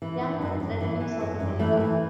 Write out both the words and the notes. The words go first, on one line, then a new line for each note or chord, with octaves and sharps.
Young men threatening South America!
E3
E3
F#2
F#2
E3
E3
F#2
F#2
E3 A3
E3